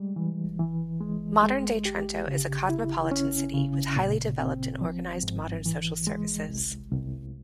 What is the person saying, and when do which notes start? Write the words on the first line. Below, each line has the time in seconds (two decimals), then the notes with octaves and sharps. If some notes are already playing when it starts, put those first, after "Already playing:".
Modern-day Trento is a cosmopolitan city, with highly developed and organized modern social services.
Already playing: G3 G#3
0.16 E3
0.59 E3
1.01 G#3
1.43 G#3
1.85 G4
2.27 C#3
2.69 E4
3.11 C#4
3.54 C#3
3.96 A#2
4.38 C4
4.81 F3
5.23 G#2
5.66 E3
6.07 G#3
6.49 C2
6.91 C2